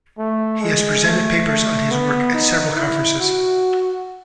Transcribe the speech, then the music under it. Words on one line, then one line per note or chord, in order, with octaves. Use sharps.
He has presented papers on his work at several conferences.
A3
G#3
A3
A3
B3
D#4
E4
F#4